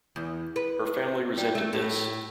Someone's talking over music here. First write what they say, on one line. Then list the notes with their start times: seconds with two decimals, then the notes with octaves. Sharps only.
Her family resented this.
0.16 E2
0.56 B4
1.37 G3
1.55 A3
1.73 A2